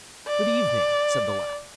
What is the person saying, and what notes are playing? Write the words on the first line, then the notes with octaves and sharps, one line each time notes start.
'Good evening!' said the lad.
D5